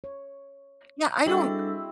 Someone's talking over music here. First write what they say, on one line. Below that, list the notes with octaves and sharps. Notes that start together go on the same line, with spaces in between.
Yeah. I don't
C#5
G3 C4 D4 E4 F#4 G#4 A4 D#5